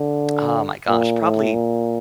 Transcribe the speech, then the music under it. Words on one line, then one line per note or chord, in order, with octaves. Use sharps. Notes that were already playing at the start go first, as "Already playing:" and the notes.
Oh my gosh. Probably
Already playing: D3
A#2
A2
A#2